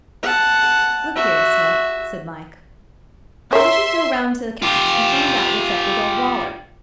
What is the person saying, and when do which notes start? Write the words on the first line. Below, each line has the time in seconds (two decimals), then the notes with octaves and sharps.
'Look here, Smith,' said Mike, 'I wish you'd go round to the Cash and find out what's up with old Waller.
0.23 F#5 A5
1.15 F#4 E5
3.53 A#4 C#5 E5 C6
4.62 F4 G4